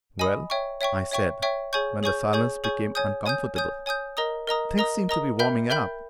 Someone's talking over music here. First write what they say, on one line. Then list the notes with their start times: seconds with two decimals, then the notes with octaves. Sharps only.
"Well," I said, when the silence became uncomfortable, "things seem to be warming up."
0.19 D#5 G#5 B5 D#6
0.50 C#5 E5 G5 C#6
0.81 C#5 E5 G5 C#6
1.11 C#5 E5 G5 C#6
1.42 C#5 E5 G5 C#6
1.73 G#4 C#5 G#5 C#6 G6
2.03 G#4 C#5 G#5 C#6 G6
2.33 G#4 C#5 G#5 C#6 G6
2.64 G#4 C#5 G#5 C#6 G6
2.95 C#5 G#5 D#6 G6
3.26 C#5 G#5 D#6 G6
3.56 C#5 G#5 D#6 G6
3.86 C#5 G#5 D#6 G6
4.17 A#4 D#5 A#5 D#6
4.47 A#4 D#5 A#5 D#6
4.78 A#4 D#5 A#5 D#6
5.09 A#4 D#5 A#5 D#6
5.39 A#4 E5 G5 B5 G6
5.70 A#4 E5 G5 B5 G6